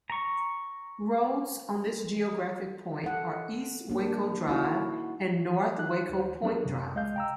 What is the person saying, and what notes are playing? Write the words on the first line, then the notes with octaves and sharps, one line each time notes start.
Roads on this geographic point are E. Waco Drive and N. Waco Point Drive.
A#5 C#6
A4 F#5
A#3 D4
D#4 E4 F#4
D#4 F#6
D2 C5
F#3 B3 D4 G#4 A#4
F#2 C3
C#2 G#3 D#5 F5 G6
G5 A#5 E6